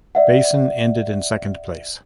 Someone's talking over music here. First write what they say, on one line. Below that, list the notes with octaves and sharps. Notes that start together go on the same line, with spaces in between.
Beysen ended in second place.
D5 E5 F#5